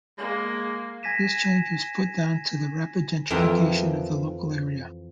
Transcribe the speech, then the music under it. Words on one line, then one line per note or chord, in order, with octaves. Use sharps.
This change was put down to the rapid gentrification of the local area.
G#3 A#3
G#5 G#6 A#6 B6 D#7 E7
F2 E3 A#4 G5